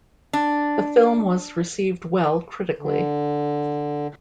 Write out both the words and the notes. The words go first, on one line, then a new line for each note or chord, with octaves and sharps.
The film was received well critically.
D4
D3